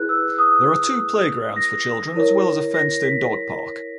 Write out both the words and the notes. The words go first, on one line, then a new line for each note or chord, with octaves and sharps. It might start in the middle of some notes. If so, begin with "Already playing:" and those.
There are two playgrounds for children as well as a fenced-in dog park.
Already playing: E4 G#4 B4 F#6
E6
D#6
A#6
E4 A#4 C#5
A#6
B6